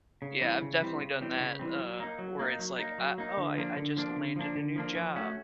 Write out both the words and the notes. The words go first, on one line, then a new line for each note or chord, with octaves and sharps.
Yeah. I've definitely done that, uh, where it's like, "Ah, oh, I I just landed a new job,"
C#3
E3 G3 C4
C#3
E3 G3 C4
C#3
E3 G3 C4
C#3
E3 G3 C4
F#3
A#3 D#4
F#3
A#3 D#4
F#3
A#3 D#4
F#3
A#3 D#4
D3
F3 A#3 D4
D3
F3 A#3 D4
D3
F3 A#3 D4
D3
F3 A#3 D4
F3
A3 C#4 F#4